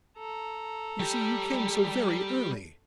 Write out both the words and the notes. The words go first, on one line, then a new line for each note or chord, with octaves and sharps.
"You see you came so very early."
A4 A#5
G3 G4